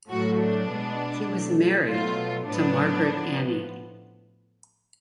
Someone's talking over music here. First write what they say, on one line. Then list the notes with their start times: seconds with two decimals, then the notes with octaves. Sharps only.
He was married, to Margaret Annie.
0.10 A2 F#3 A3 F#4
0.39 D4
0.69 B2 G#3 B3
1.28 B2 F#3 A3
1.86 B2 F#3 A3 F4
2.46 A2 F#3 B3 D4
3.05 A2 F3 B3